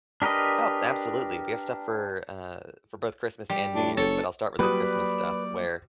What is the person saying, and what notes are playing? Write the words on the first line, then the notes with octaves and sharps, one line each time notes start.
Oh, absolutely. We have stuff for, uh for both Christmas and New Year's, but I'll start with the Christmas stuff where,
D4 G4 A#4 B4 D#5
G3
A2 D4
F#1 A4 C#5
F#3 G3 A#3 F#4 B4 D5 G5 D#6